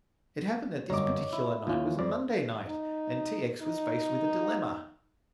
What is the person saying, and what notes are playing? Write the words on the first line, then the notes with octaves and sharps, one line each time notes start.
It happened that this particular night was a Monday night and T. X. was faced with a dilemma.
G1 F#2 C#5 D#5 A#5 D6
E4
D#2 C#4 E4 F4
F2 C5 D5
D#4
D#4